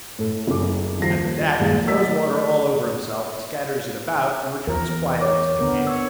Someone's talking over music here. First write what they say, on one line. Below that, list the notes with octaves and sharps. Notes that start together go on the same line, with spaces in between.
After that he throws water all over himself, scatters it about, and returns quietly to the camp.
A2 A4
F#1 F#2 D6
D#1 F3 A#6 C7
D#1 A#2 G#3 F5 A6
F#3 A3 A#4 D#5 E6 B6
E2 A#4
C#5 D6
D3 B3 A#4
C#5 E6